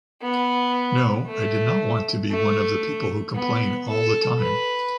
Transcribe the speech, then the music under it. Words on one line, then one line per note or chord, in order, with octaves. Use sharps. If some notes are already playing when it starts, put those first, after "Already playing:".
No, I did not want to be one of the people who complain all the time.
B3
A3
A3
B3
A4
B4